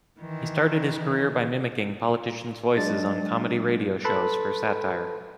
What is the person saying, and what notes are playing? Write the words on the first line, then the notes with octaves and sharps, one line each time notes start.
He started his career by mimicking politicians' voices on comedy radio shows for satire.
D#3 E3
F#3 G#3 D4 A6
A4 B4 A5 B5 C6 F#6